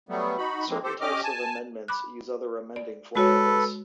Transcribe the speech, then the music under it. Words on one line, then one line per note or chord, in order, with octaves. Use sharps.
Certain types of amendments use other amending formulas.
F#3 G3 A3 B3
D#4 F#4 B5
F3 G#3 A#3 C4
C4 G4 A4 C5
C#4 G4 D#5 D6 F6
G#5 A5
B5 D6 F#6
D5
G#3 F#4 A4 B4 C#5